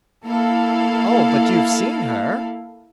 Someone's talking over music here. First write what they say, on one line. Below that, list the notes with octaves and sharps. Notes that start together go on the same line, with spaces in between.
"Oh, but you've seen her."
A#3 E4 A4 F5